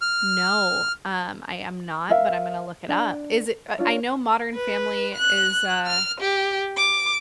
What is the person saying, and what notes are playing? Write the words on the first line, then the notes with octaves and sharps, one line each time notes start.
No, um, I am not, but I'm gonna look it up. Is it, uh I know Modern Family is a
F6
A#4 E5 F5
D4
D4 F4 C#5
B4
F#6
F6
G4
D6